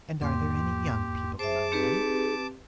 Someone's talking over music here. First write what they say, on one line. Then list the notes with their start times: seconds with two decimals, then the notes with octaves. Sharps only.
"And are there any young people among them?"
0.21 E2 G#2 A#3 G4 C6
1.39 G#4 C5 E5 A5 D6
1.72 C4 D#4 G4 B4 C#7